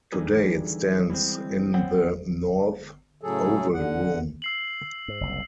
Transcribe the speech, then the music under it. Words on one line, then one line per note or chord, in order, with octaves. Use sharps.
Today it stands in the North Oval Room.
D3 E3 G3 D#4 G#4 B4
E3 G3 G#3 C4
B3 C4 C5 C#5 F#5 G5
A2 C#3 F#3 G#4 A4
D3 F#5
E6 C7 F#7
G#2
F#1 C2